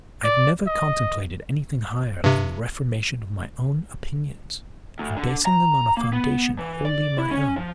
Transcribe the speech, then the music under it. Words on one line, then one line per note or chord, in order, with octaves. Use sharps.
I have never contemplated anything higher than the reformation of my own opinions, and basing them on a foundation wholly my own.
D5
D#5
G2 C3
D2
D3
A#5
A#3
B3
E3
D5
E4
C#4
F3